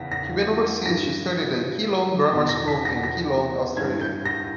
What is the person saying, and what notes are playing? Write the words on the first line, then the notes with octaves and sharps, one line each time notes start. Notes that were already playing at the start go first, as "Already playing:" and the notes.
He went overseas to study at the Geelong Grammar School in Geelong, Australia.
Already playing: E2 C#3 E3 A#6 B6
A#6
G2 E3 A#6
E2 B2
A#6
B6
A#6
A#6
G2 E3 G#6
G6
A#6